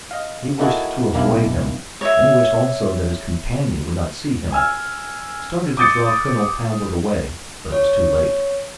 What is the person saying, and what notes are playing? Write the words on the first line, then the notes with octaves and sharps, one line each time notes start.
He wished to avoid him, and he wished also that his companion would not see him. He started to draw Colonel Talbot away, but it was too late.
D#5 F5
A#3 D#4 E4 F#4 G#4 A4
B1 D#3 A#3 D4 E4 F5
C#5 E5
G#5 E6 F6
D6 D#6 G6 A6 C#7
C#5